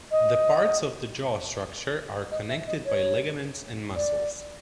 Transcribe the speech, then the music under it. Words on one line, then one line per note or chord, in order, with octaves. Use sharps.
The parts of the jaw structure are connected by ligaments and muscles.
D#5
D#5
E5
D#5
C#5
D5